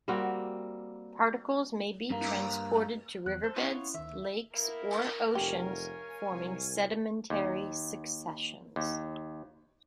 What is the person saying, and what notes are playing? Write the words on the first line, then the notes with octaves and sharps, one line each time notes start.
Particles may be transported to riverbeds, lakes, or oceans, forming sedimentary successions.
G3 A#3 C4 F#4
G2 A#3
E2 F#6
A4 C5
B3 C#4 E4 F4 C#5
D2 D#3 E5
A#3 B3 E4 A#4
F1 G4 C#5 F5 G#5
C2
D#2
D#2